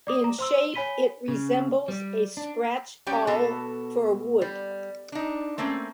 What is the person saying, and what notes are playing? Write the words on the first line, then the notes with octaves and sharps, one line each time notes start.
In shape it resembles a scratch awl for wood.
D5 D6 D#6
A#5
C5 C6 E6
C#5 G#5 B5 B6 D#7 G7
C#3
G3
D4
G3 C#4 G4 C#5 G5
B2 B3 A4
G3
D4 D#4
A3 A#3 C4 C#4